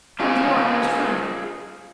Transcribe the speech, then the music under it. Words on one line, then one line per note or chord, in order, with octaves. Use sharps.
Come to our honest friend.'
D4 F4 G#4 A#4 C5 D#5